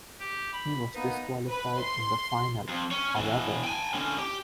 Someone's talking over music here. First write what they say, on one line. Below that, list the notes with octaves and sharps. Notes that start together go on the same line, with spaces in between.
He was disqualified in the final, however.
G4
B5
A#3 B3 D#4 B4
B4
C6
F2
C#4 C#5
B2 E3
G5 G#5
D3 C#4
G4